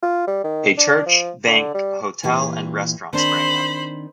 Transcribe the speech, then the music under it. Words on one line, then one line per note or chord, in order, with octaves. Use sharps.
A church, bank, hotel and restaurant sprang up.
F4
G3
D#3
D4
F3
D3
G3
A#2 E3 G4
D#3 C4 D4 C5 B5